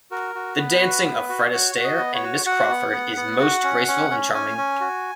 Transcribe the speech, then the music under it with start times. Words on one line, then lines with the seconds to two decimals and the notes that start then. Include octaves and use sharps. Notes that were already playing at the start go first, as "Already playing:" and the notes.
The dancing of Fred Astaire and Miss Crawford is most graceful and charming.
0.11 F#4 A#4
0.35 F#4
0.58 B3 B4
0.82 F#4
1.05 B3
1.29 F#4
1.52 F#4 C#5
1.75 F#4
1.84 D#5
1.99 B3
2.14 C#5
2.23 F#4
2.46 F#4 F#5
2.69 B3
2.92 B3
3.17 B3
3.40 F#4
3.63 C#4
3.87 C#4
4.10 C#4
4.34 C#4 G#5
4.58 C#4
4.81 F#4